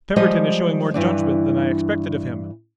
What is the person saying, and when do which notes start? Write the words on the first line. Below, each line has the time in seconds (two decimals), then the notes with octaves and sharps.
Pemberton is showing more judgment than I expected of him.
0.16 F3 G3 G#3 D#5
0.94 G2 E3 D4